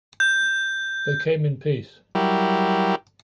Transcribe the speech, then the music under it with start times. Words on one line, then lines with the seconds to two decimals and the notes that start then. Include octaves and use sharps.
They came in peace.
0.20 G6
2.15 F#3 G3 E4 G4 A#4